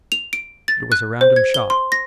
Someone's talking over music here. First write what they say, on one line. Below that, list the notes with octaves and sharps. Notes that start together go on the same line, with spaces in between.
It was a random shot.
F7
D7
A6
F#6
C5
G#6
G7
C6
A#6